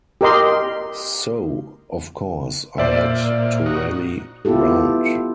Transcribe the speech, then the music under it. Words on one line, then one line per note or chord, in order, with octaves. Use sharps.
So, of course, I had to rally round.
G4 A#4 D#5 C6
A#2 C5 D5 E5
D#4 F#4
B3 E4 F4 G4 A4